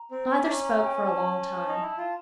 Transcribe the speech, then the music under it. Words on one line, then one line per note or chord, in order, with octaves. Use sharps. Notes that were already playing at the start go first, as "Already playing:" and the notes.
Neither spoke for a long time.
Already playing: A#5
C4
C#4
D4
C#4
A#5
G5
G#5
A5
D#4
E4
F4